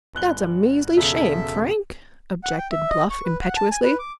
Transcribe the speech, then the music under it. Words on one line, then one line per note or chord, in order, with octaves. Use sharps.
"That's a measly shame, Frank!" objected Bluff impetuously.
G1 F#6 G7
E1 C#3 A4 E5
F#5
G5
E5
D#5
C#6
B4
F#5
A5
G#5
B4
D6